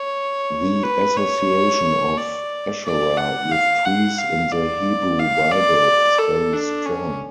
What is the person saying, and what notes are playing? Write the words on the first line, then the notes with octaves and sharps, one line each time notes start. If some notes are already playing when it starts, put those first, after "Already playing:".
The association of Asherah with trees in the Hebrew Bible is very strong.
Already playing: C#5
B4
C#5
D5
D5
F#5
F5
F#5
F5
D5
F5
D5
A4
D4
C#4